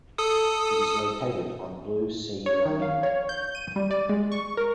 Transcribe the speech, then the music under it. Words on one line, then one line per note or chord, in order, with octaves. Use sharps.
It is located on Blue Sea Lane.
A4 D#6
C#5
D#3
F5
C#5
G6
D#7
G3
D5
G#3
C#6
A#4